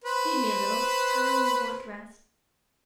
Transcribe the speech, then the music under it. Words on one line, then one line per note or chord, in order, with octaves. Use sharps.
"Leave me a little--I only want rest."
B4 C5